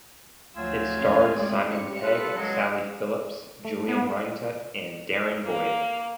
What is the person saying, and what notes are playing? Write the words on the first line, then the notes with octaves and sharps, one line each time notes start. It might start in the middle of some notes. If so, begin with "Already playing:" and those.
It starred Simon Pegg, Sally Phillips, Julian Rhind-Tutt and Darren Boyd.
D2 F3 F#3 A3 F4 G#5 E6
E2 C#4 F5
G#3 C4 D5
G3 C#4 C#7
F4 A4 B4
F#3 G#3
A3
B3
A#3